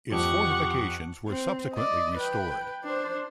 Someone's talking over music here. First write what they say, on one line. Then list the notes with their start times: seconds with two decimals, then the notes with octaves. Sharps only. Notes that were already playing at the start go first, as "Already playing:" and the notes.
Its fortifications were subsequently restored.
0.12 F2 G4 F#5 C#6
1.27 C4
1.74 D5 D#5
2.17 B4 G5
2.84 D4 C5